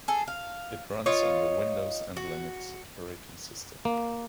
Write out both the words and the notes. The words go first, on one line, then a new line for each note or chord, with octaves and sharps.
It runs on the Windows and Linux operating systems.
G#4 A4
F5
D#4 F4 C#5
F#4
A#3